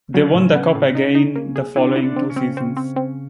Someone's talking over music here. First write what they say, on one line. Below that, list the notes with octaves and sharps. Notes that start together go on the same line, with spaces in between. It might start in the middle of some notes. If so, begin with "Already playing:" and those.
They won the cup again the following two seasons.
C#3 F#3 C#4
A2
B3
A2
D#4
D#4
A#3
G#4
D3 D4 E4
E4
D3 D4
C4
C#3 C#4
C4
C4
C4
C4